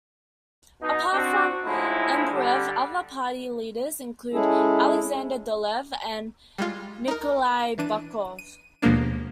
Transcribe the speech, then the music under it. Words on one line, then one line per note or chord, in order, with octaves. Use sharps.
Apart from Ambarev other party leaders included Alexander Dolev and Nikolay Buckov.
B2 D#4
C4 D4 F#4
A2 D3 F3 G#3 D#4 E4
D3 G3
G#3 C#4 E4 G#4 A4
G3 G#3 F4
D#4 A#4
E3 D4 D#7
D#7
D#2 B2 F3 G#3 A#3 D4